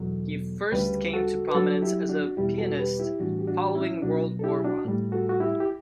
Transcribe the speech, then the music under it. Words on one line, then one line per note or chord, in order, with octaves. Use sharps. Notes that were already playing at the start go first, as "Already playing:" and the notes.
He first came to prominence as a pianist following World War One.
Already playing: E2 B2 F#3 A4
D2 C#3 G3 G4 B4
F#4 A4
B4
G2 F#3 F#4 A4
E4 G4
D4 F#4
E2 B2 G3 E4 G4
F#4 A4
G4 B4
E4 G4
A2 E3 G3 D4 F#4
G4
D4 F#4
C#4 E4
C#2 B2 F#3 D4 F#4
A4
E4 G4
D4 F#4
A2 G3
F#4 A4
F#4
E4 G4
G4